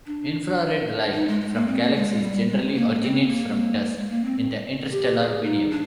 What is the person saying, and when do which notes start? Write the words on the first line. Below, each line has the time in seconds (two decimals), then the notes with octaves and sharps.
Infrared light from galaxies generally originates from dust in the interstellar medium.
0.06 D4
1.14 D#4
1.28 G#3
1.41 G#3
1.55 A#3
1.67 C4
1.81 A#3
1.95 G#3
2.08 G#3
2.22 G3
2.48 G#3
2.75 A#3
3.02 C4
3.29 A#3
3.83 A#3
3.96 G#3
4.09 A#3
4.24 C4
4.91 G4
5.18 G#4
5.44 D#4
5.71 D4